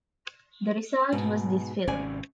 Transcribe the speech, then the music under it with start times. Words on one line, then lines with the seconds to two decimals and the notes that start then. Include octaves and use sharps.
The result was this film.
1.12 G#2 B2
1.88 G#1 C3 C#4 D5 G#5